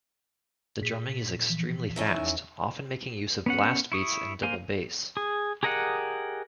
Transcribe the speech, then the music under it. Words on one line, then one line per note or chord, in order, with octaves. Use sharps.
The drumming is extremely fast, often making use of blast beats and double bass.
A#2 G#4 B6
E3 F3
C#4 E4 A#4
E2 D#4 E6
B3 C#4 F#5
E4 C#6 D#6
A#3 C5 F5 G#5
G#4
G4 G#4 A#4 D#5 F#5